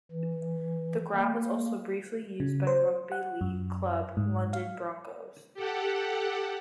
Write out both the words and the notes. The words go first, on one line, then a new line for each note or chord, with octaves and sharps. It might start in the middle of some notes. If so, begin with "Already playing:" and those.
The ground was also briefly used by rugby league club London Broncos.
E3
A#3
C#3
C5
F#5
F#2
G#2
F5
G4 A4 F#5